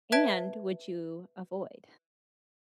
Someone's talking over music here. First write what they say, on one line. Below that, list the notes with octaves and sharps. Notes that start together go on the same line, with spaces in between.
And would you avoid?
B4 E5 A5 G#6 D7